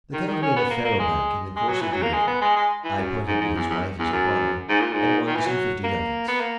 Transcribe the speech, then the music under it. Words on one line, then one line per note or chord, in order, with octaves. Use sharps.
The count made a faro bank in the course of the evening, I punted with his wife as a partner, and won some fifty ducats.
D#3
D#3
C#4
B3
A#3
A#3
G#3
G#3
F#3
E3
F#3
A#3
G#3
B3
G#3
G#3
E3
F#2
G#2
G#2
E2
E2
E2
F#2
G#2
A#2
G#2
D#3
E3
F#3
A#3
B3
A#3